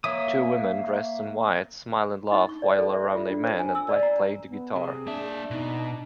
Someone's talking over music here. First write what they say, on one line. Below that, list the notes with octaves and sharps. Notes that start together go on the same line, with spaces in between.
Two women dressed in white smile and laugh while around a man in black playing the guitar.
A#3 C#5 E5 D6 D#6
D#4
C#6
D5
A4
E5
F4
D4
C5
G#5
E6
D5
A#5
B3
C3 G#4
A#3 D4 E5
B2 D#4